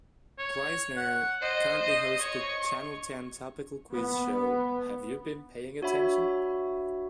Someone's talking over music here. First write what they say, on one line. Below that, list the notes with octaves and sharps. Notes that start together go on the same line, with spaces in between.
Gleisner currently hosts the Channel Ten topical quiz show Have You Been Paying Attention?
C#5
F#5
C5 D#5
D#5
C#5 C#6
B3
D4 F#4 C#5 E5 B5